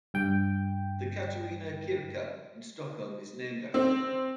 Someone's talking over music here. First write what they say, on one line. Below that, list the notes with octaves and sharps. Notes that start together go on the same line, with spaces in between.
The Katarina kyrka in Stockholm is named after her.
G2 G5
C4